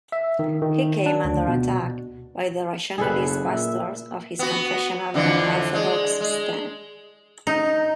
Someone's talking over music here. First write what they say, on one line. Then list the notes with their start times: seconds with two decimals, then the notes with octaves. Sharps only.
He came under attack by the rationalist pastors for his confessional and orthodox stand.
0.12 E5
0.39 D#3
0.62 D#3
1.06 D4
1.25 D2
1.48 B2
2.98 F#1 B1 G#4 A4 B4
3.45 A#2 E5
4.39 B3 F#4
5.14 F2 D3 E3
5.74 G#3
6.21 G#3
7.47 D#4